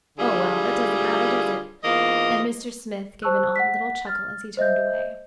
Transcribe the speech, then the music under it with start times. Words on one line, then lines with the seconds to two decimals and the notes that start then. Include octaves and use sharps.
"Oh, well, that doesn't matter, does it?" And Mr. Smith gave an odd little chuckle as he turned away.
0.18 D3 G3 E4 F4 G#4
1.84 E2 G#2 A#3 F4 D#5
3.22 C5 A5 C#6 E6 F#6
3.56 F#5 B6
4.07 F6 A6
4.57 C5 D#5 E5 G6